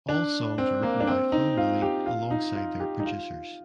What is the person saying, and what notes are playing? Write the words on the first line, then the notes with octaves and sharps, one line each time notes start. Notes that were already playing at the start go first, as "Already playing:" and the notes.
All songs were written by Flo Milli alongside their producers.
D4
C4
A#3
D4
C4
D#4
F4
G4
F4
D#4
F4
G4
D#4
F4